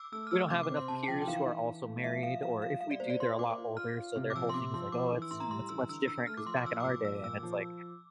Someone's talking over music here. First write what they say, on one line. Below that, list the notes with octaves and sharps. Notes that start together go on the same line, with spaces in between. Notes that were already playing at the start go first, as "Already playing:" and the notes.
we don't have enough peers who are also married or if we do, they're a lot older, so their whole thing is, like, "Oh, it's, you know, it's much different 'cause back in our day" And it's like,
Already playing: D6 E6
A3 E6
F6
A3 E6
C3 D6
D6
C4
C6
C3 A5
A5
F3 G5
G5
E3 F5
E3
E3
A3
F3 E5
F3 F5
F3 F5
F4 F5
G3 F5
D5
A#3 C5
D5
F4 C6
A#3 D6
F4
F4 F6
F4
C3
D6
F3 E6
C6
C3 D6
F3 C6
F3 D6
E3
E6
A2 C6
A#5
G3 C6
E3 E6
D3 E6
D3 E6
A3 F6
D6
F3 C6
D6
F3 E6
D6
A#2 E6
F3 E6
A#2 E6
F3